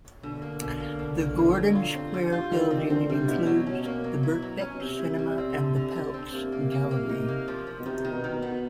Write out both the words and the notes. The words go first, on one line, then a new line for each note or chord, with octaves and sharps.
The Gordon Square building includes the Birkbeck Cinema and the Peltz Gallery.
B2 D3
A#3
B2
A#3
B2
A#3
B2
F#3
F4
C4
G3
F4
D#3 G3
D#3 C4
D3 C4
C3 G3
B2 E4
F#3
C#4
A#3
F#3
E4
F#3
C#4
B2
C3 C4
E4
G3
C4
D3
D3
D3
C4
C3 A#3
A#3
A#3
A#3
D#4
A#3
F3
F3
B2
C3 D#3
D#3
B2
D#3
B2
B3